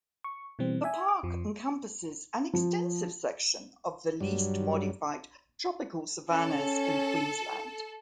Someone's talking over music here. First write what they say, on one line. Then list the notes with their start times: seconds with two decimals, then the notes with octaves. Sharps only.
The park encompasses an extensive section of the least modified tropical savannas in Queensland.
0.24 C#6
0.59 B2 E3 G3 C4
0.84 E5 G#5
1.09 D6
1.23 F2 F3
2.53 F3
4.21 G2 F#3 G3
6.31 C#4 A4